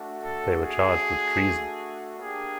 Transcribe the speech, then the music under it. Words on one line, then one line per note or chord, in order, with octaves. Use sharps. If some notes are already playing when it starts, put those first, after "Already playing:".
They were charged with treason.
Already playing: A3 D4 F#4
A4
G#4
A#3 D4 G4 G#4